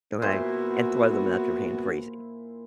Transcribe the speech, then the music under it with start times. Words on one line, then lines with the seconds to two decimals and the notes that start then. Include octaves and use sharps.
Okay? And throw them without your hand freezing.
0.22 A#2 B3 E4 F#4 C5